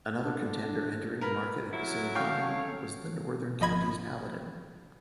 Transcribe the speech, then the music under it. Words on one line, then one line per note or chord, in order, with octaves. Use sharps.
Another contender entering the market at the same time was the Northern Counties Paladin.
D3 D4
A#4 B4
F#3 E4
C#4 A4 C#5 F5 G5 C#6 F6
G#1 F3 D#5 B5 G#6